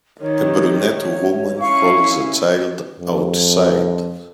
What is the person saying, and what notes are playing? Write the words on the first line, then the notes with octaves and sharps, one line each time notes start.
A brunette woman holds a child outside.
D#3 G4 C#5
C#4 E4 F5 C#6
F2